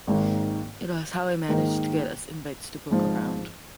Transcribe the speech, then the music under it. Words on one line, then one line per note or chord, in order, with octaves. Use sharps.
It was how I managed to get us invites to poke around.
G#1 G#2 D#3 A#3
G#2 D#3 A#3 D#4
G#1 G#2 F3